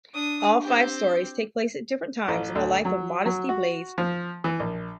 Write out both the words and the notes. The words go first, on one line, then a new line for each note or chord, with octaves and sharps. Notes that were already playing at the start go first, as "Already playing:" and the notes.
All five stories take place at different times in the life of Modesty Blaise.
D4 D#6
C4 G4
A1
D2
F#3
F#3
F#4
F3
E3
A#1